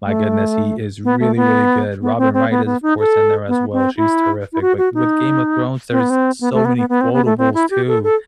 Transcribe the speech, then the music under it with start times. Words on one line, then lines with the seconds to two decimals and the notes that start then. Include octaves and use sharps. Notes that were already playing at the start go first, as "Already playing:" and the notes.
my goodness, he is really, really good, Robin Wright is of course in there as well, she's terrific, but with Game of Thrones, there is so many quotables too,
0.05 A3
1.04 B3
1.20 A3
1.36 B3
2.01 B3
2.18 C4
2.34 C4
2.50 B3
2.66 B3
2.83 D#4
2.99 A4
3.48 B3
3.73 C4
3.97 E4
4.53 E4
4.61 F#4
4.78 F#4
4.94 D#4
5.91 C4
6.00 B3
6.10 C4
6.41 B3
6.53 A3
6.65 B3
6.77 B3
6.89 B3
7.01 C4
7.13 B3
7.25 A3
7.38 C4
7.54 E4
7.70 G4
7.87 A4
8.04 A4